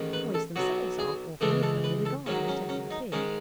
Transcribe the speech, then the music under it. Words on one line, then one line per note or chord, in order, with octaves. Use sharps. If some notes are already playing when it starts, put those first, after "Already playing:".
The boys themselves are, all three of them, in the garden attending the pig.
Already playing: A1 G#2 D#3
B4
A4
B1 B2 F#3 F#4
G#4
C#2 C#3 E3 G#3 A4
A4
B4
A4
G#2 D#3 F#3 C#4
C#4
C#4
D#4
G#2 D#3 G#3 C#4